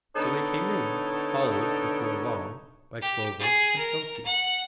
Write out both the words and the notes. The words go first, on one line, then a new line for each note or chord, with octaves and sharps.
So they came in, followed, before long, by Clover and Elsie.
D3 B3 D#4 A4 C#5
G4
G#4
A#4
F#5